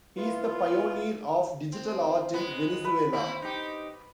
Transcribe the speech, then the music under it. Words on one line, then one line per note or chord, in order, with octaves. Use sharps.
He is the pioneer of digital art in Venezuela.
B3 E4 F4
C4
G#3 B3
B4
D#2 C4 E4
D#4 G4